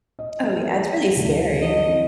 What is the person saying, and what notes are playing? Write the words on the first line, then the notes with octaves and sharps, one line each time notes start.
Oh, yeah. It's really scary.
D#5
D2 E3
D#5
C4 E4